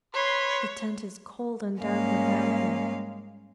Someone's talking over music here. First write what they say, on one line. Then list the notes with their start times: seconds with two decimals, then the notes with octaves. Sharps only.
The tent is cold and dark without you....
0.14 B4 C#5 B5 C6
1.79 G#2 G3 G#3 A#3 C#4 F5